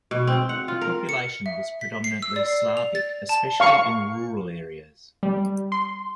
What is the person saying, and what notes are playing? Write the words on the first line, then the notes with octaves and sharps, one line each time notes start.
The population was predominately Slavic, especially in rural areas.
B2
C4
F#5
F4
A#4
C#7
E5
B6
C7
E6
D5
C7
F7
A6
A5
F5 C#6
G3
C6